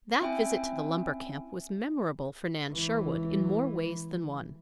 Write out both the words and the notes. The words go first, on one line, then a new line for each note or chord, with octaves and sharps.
That visit to the lumber camp was memorable for Nan Sherwood in more ways than one.
C4 C#4 E4 E5 G5 G#5
C#2 E3